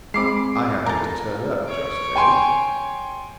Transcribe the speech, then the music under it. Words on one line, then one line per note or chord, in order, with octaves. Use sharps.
I happened to turn up just then.
G#3 C4 B5 D6 C7
A4 A#4 G#5
C#5 D7
G5 G#5 C6